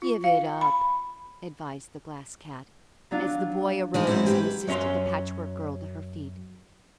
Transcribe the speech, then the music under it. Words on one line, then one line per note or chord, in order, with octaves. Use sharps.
"Give it up," advised the Glass Cat, as the boy arose and assisted the Patchwork Girl to her feet.
F4
F5
B5
F#3 D4 F4
E3 G#3 D#4
G#2 C4 C#4 E4
G4 B4
F#2 F#3 C#4 F5 C6